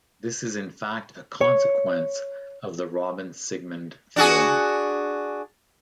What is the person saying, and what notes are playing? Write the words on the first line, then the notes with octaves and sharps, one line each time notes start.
This is in fact a consequence of the Robbins-Siegmund theorem.
C#5
D4 F#4 G#4